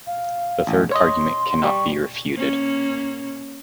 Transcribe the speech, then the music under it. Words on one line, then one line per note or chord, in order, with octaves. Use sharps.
The third argument cannot be refuted.
F5
A1
C#5 D#5 C6
G3 C#6
A#3 C#4